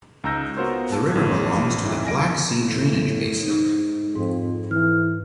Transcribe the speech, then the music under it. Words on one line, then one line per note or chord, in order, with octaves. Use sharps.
The river belongs to the Black Sea drainage basin.
C#2 D#4 A#5 E6 G6 A#6
B3 F4 F#4 A#4 C5 C#5
A5
A1 G#6
F2 G#2 E4
G#5 A#6 D7
A2
G#2 D#4
F2 G#2
E3 F6